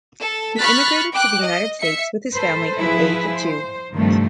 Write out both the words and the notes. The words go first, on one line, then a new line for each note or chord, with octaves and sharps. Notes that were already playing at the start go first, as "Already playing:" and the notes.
He emigrated to the United States with his family at the age of two.
A4
B5 C#6 F6 F#6 A6 B6
G5 D6 F#6
D#5
E5 C#7
A4 B4 C5
F3 E4 G#4 B4
C5
G2 C3 D#3 F3 A3